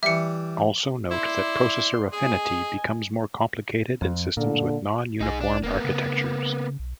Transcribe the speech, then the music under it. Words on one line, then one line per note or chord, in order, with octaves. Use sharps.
Also note that processor affinity becomes more complicated in systems with non-uniform architectures.
E3 G3 E5 C#7
E4 D5 C6
G#4 D#5 G#5
F2
A#2 D3
B1 D#4 G#4
D4
E1 A#3 B3
C#3
B1